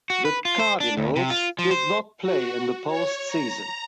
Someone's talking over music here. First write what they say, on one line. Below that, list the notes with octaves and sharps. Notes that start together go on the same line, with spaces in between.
The Cardinals did not play in the post season.
F#4
B4
F4
C5
D4
D2
C3
F4
F3
C5
F#4
C#5
A#5